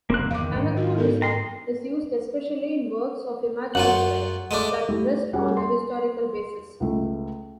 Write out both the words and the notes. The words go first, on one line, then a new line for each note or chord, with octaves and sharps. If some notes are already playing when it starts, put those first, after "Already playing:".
Anachronism is used especially in works of imagination that rest on a historical basis.
F1 G#2 C#3 A#3 C4 F#6
E2 D#3 F5 D6
G#2 F#3 D4
F#4
B3 A4 A#4
G5 A#5 C6
F#2 F#3 F4 F#5
G#3 A3 D4
A3 E4 G4
G3 C#4 G#4 F#5
C6
C#2 A3